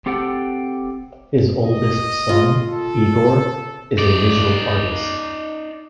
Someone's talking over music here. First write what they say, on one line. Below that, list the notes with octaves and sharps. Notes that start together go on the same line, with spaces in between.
His oldest son, Igor, is a visual artist.
C4 G4 A4 F#5 G5
D#5
F4
A4
D#4 D5